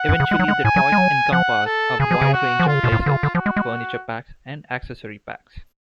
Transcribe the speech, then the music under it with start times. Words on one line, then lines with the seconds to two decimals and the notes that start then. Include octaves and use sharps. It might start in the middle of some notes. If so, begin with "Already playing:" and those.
Eventually, the toys encompassed a wide range of playsets, furniture packs, and accessory packs.
Already playing: F#5
0.09 F#2
0.20 C#3
0.31 G#3
0.39 F#3
0.48 G#3
0.64 A2 G#5
0.76 F#3
0.92 G#3
0.98 F#3
1.32 F3 F#5
1.66 A4
1.99 C#3 G#4
2.11 F3
2.21 C#3
2.33 F#4
2.60 F3
2.67 D3 F4
2.75 C#3
2.84 B2
2.92 A2
3.00 F4
3.06 D3
3.11 C#3
3.23 D3
3.34 F3 F#4
3.46 G#3
3.56 G#3